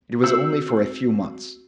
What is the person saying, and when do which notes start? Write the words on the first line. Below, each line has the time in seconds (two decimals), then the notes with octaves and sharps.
It was only for a few months.
0.24 C4 F#4 E6